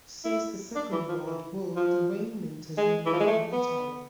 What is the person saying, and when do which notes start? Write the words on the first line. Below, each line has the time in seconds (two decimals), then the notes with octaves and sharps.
Since the Second World War, the regiment has remained in Ottawa.
0.25 E4
0.75 D4
0.92 E3
1.09 F3
1.26 E3
1.76 F3
2.78 G#3
3.06 E3
3.13 F3
3.20 G#3
3.27 A3
3.52 B3